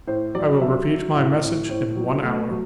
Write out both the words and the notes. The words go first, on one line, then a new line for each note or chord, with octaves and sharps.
I will repeat my message in one hour.
A2 C5
F#3 D5
F#3 E5
F#3
A2
A2
A2 C5
F#3
A3
F#3